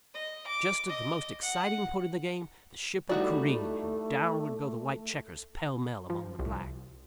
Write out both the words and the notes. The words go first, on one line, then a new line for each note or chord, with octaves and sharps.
Just at the most exciting point of the game, the ship would careen, and down would go the white checkers pell-mell among the black.
D#5
D6
D#5
F#5
G3 A3 D#4 E4 F#4 D5
F3
C2